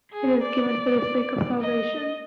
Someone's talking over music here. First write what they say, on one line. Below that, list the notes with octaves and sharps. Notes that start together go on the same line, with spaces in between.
It is given for the sake of salvation.
G#4
D5
D#5